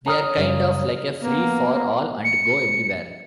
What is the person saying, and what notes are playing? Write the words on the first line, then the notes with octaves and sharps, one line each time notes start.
They're kind of like a free-for-all and go everywhere.
C#5 A#5 D#6 F6
F#2 C#3 G3
A#3 B3
C#7